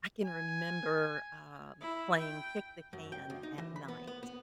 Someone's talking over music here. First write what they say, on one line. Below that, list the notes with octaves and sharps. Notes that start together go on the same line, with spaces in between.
I can remember, um, playing kick the can at night
G#5
E4
G5
F#2
G5
D2
D#4
E3
B5
B3
B3
B3